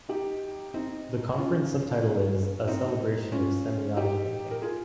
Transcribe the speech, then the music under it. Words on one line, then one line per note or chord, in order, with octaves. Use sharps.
The conference subtitle is "A Celebration of Semiotic Thinking".
D#4 G4
C4 D#4
C#4 F4
C4 D#4
C#4 F4
D#4 G4
A#4
F4 G#4